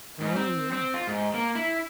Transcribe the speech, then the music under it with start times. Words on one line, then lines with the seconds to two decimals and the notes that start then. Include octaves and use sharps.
Oh, yeah.
0.21 G#2
0.36 C4
0.73 C4
0.94 F4
1.07 G#2
1.34 A#3
1.56 E4